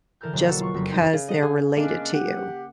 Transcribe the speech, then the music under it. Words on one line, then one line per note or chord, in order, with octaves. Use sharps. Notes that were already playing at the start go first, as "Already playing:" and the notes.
just because they're related to you.
D3 E3 A#4 A5 F6 G6
E1 F#3 A#3
A#3 F#4 A4 B4
F4 C#6
F#1 F2 C4 A#6 B6
D#4 C5
C#3
D#5 F#5
G#4
G#3 A#3 C#4 D4
G4 F#5